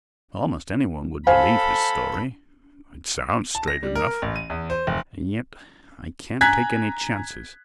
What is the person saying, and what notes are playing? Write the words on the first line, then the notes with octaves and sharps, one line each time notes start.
Almost any one would believe his story--it sounds straight enough--and yet I can't take any chances.
A4 C5 F5 G#5 B5
A5
A#6
G3
A#4
A1
D#7
E2
C5
F1
G#5 A#5 F#6 G#6 B6